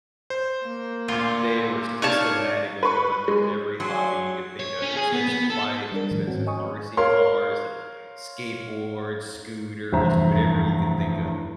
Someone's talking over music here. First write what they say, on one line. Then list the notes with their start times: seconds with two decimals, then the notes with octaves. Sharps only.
they were systematically going through every hobby you could think of. Expensive bikes, expensive RC cars, like, skateboards, scooters, whatever you could think of.
0.30 C5
0.66 A#3
1.08 D2 A#2 F4
2.02 D4 D#4 C#5 F5 A5 G#6
2.83 B4 C#6
3.28 G#3
3.80 F#3 A3 G#4 G#5 C6
4.60 C#5
4.82 C#4
4.95 G#4
5.13 B3
5.28 B3
5.50 A4
5.92 G3 D4 A#4
6.11 A2 D#3 F3
6.27 G#2 C4 C#4 F#4
6.47 C#5 D#5 G#5 C#6 D#6
6.97 A#4 C#5 F5 C6
9.92 F1 E2 G2 C5 E5 A#5